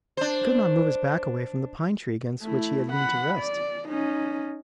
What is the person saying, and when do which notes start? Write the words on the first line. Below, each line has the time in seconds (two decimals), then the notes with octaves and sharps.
He could not move his back away from the pine tree against which he had leaned to rest.
0.17 D4 C5
2.43 A3 E4
2.92 F#5 B5
3.38 D5
3.89 C#4 D#4